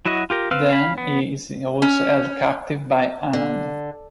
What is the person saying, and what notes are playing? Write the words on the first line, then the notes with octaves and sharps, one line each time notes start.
Then he is also held captive by Anand.
F#3 E4 F#4 D#5
F4 G4 A#4
C4 B4 F5 E6 F6
F5 B5
B3
C#4
D3